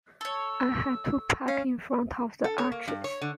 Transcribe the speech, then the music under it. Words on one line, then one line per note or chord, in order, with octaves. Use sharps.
I had to park in front of the arches.
A4 C#5 E6
C#4 F5
A4
C#5
A#3
G2
C#5
D3